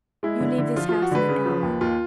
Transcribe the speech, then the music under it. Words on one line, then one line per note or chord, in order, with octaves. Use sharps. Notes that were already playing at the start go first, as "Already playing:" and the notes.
You leave this house in an hour.
G#3 E4
D3
D3
F3 F4
F3 F4
F#4
D3 B4
C#3
F3
D#2
D#2 F4